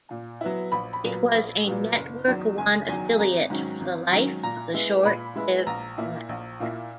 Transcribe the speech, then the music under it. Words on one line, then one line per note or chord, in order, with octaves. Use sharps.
It was a Network One affiliate for the life of the short-lived network.
A#2
F#3 B3 E4
A#1 B5
B5
A#2 F#3 B3
A#1
A#2 F#3 B3
F#1
E2 D#3 F#3
F#1 G#5
E2 D#3 F#3 G#5
G#5
G#1 A#5
G#2 D#3 F#3 C#4
G#1
G#2 D#3 F#3 C#4
A#2 A#5
G#3 B3 E4
A#2 B5
G#3 B3 E4
A#1 A#5
A#2 A#3 E4
A#1
A#2 A#3 E4